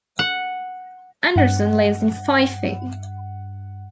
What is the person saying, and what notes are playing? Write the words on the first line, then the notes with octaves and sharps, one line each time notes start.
Anderson lives in Fife.
F#5
G2 F#5